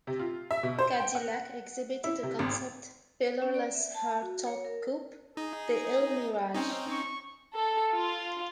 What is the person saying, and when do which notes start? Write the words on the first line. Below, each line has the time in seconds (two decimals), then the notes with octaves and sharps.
Cadillac exhibited a concept pillarless hardtop coupe, the Elmiraj.
0.07 C3
0.19 F4
0.51 E5
0.63 B2
0.79 C5
1.00 G5
1.15 F#5
2.04 E4
2.23 C3
2.39 G#1
3.42 C#4
3.54 D5
3.75 E5
3.94 A5
4.22 F#4
4.47 C#5
4.65 A#4
5.37 D#4 G#4
6.54 C4 C#4 D#4
6.91 C#6
7.55 A4
7.92 F4